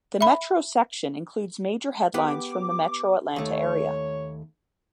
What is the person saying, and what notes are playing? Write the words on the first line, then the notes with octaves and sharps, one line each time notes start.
The Metro section includes major headlines from the Metro-Atlanta area.
E5 B5
B3 G4 F#5 D6
D#2 A3 C#5